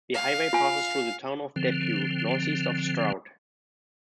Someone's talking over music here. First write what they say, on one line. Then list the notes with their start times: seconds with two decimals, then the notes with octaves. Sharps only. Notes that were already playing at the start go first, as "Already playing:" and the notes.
The highway passes through the town of Depew northeast of Stroud.
0.14 F5
0.53 F4 G#5
1.56 D3 F3 C4